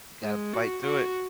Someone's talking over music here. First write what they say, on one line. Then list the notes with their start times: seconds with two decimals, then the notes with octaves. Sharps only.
you gotta fight through it.
0.23 G#3
0.53 F#4
0.83 F#4